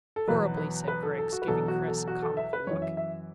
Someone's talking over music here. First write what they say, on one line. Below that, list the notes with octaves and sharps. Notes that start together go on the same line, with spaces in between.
"Horribly," said Griggs, giving Chris a comical look.
A4
E2 B2 F#3 B4
B4
B4
A4
A4
F#4
B4
E2 B2 F#3 A4
F#4
A4
F#4
A4
E5
B4
F#2 E3 C#5
E5
E5